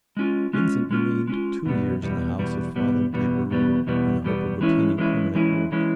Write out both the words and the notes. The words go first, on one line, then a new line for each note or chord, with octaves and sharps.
VINCENT remained two years in the house of Father de Berulle, in the hope of obtaining permanent work.
G#3 C#4 F4
G#3 C#4 F4
G#3 C#4 F4
G#3 C#4 F4
E2 B2 G3 B3
E2 B2 G3 B3
E2 B2 G3 B3
E2 B2 G3 B3
E2 B2 G3 B3
E2 B2 G3 B3
E2 B2 G3 B3
E2 B2 G3 B3
E3 G#3 C#4 E4
E3 G#3 C#4 E4
E3 G#3 C#4 E4
E3 G#3 C#4 E4